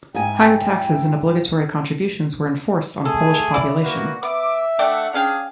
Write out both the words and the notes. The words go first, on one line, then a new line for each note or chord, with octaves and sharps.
Higher taxes and obligatory contributions were enforced on Polish population.
G#2 E4 G5 G#5
A3 G#4 A4
E4 D5
A#3 F#4 B4
B3 E5 D6
A3 D4 D5 F#5 G5
C#4 D4 G#4 F5 G5